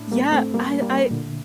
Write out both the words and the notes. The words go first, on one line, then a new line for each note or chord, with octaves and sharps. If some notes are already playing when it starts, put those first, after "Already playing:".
Yeah, I I
Already playing: A2 D4
G3 A#3
A3 C4
G3 A#3
G3 A#3
A#2 D3